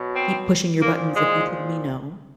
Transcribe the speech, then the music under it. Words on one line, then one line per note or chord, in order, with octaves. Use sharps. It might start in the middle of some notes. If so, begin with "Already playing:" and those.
keep pushing your buttons if you told me "no."
Already playing: B2 F#3
C4
A#2 F3 A#3
G#3